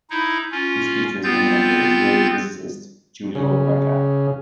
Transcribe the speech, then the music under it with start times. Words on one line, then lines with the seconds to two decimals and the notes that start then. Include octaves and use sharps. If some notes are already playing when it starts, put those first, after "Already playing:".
This feature is named after the Israeli physicist Giulio Racah.
0.10 D#4 E4
0.52 C#4 F4
1.23 B3 C4 F4 G6 A6
3.35 C#3